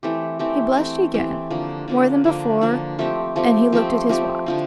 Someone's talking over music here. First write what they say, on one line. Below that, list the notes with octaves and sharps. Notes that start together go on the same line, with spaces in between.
He blushed again, more than before, and he looked at his watch.
E3 A3 C4 G4
E3 A3 C4 G4
E3 A3 C4 G4
E3 A3 C4 G4
D3 F3 A#3
D3 F3 A#3
D3 F3 A#3
D3 F3 A#3
F3 A3 C4 G4
F3 A3 C4 G4
F3 A3 C4 G4
F3 A3 C4 G4
D3 F3 C4